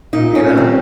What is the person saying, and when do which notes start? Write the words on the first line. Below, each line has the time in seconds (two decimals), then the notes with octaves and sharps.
You know?
0.13 A#2 D#4
0.35 C#4
0.57 G3 C4